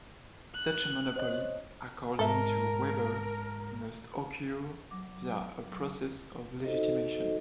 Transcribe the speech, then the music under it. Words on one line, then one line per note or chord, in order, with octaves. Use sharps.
Such a monopoly, according to Weber, must occur via a process of legitimation.
F#6
C5 C#5 D#5
G#2 A4 A#4 E5 A5 A#5
F#3 D6
D#4 F#4 A4 C5 D#5